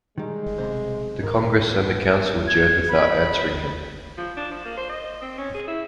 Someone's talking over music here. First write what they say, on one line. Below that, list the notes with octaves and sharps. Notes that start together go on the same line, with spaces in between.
The congress and the Council adjourned without answering him.
D#3 G3 G#3
B1 C3 C5
D#2 G#2 A#4
B3
G#6
B5
F3
D4
F3
A#3
C5
D#5
C4
C#4
G#4
E4